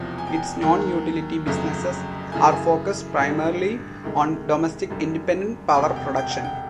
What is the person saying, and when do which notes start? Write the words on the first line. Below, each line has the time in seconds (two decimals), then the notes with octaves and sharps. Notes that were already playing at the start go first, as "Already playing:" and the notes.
Its non-utility businesses are focused primarily on domestic independent power production.
Already playing: E1 E2 C3 F3 G5
0.18 G#5
0.27 G5
0.35 G#5
0.62 D#2 D#3 F#3
1.46 G1 F2 C#3 F#3 A3
2.32 F#2 C#3 E3 A3 G#5
2.51 G#5
3.18 A1 G2 D3 G3
4.04 D2 C3 D#3 G#3
4.89 G1 F#2 D3 G3
5.75 E1 D2 C3 G#5
5.82 G5
5.89 F#5
5.96 G5
6.18 G5
6.30 F#5
6.44 G5